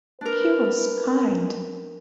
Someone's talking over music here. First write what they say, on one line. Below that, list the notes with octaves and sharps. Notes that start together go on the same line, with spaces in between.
He was kind.
D4 A#4 B4